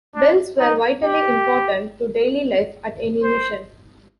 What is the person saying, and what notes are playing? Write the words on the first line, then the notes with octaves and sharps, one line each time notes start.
Bells were vitally important to daily life at any mission.
D4
D#4
G4
C5